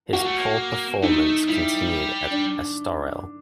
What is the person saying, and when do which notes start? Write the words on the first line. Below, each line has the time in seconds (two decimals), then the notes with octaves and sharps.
His poor performance continued at Estoril.
0.13 A#3 F#4
0.26 A3
0.38 A#3
1.03 A3 D#4
1.48 G3 E4
2.31 D4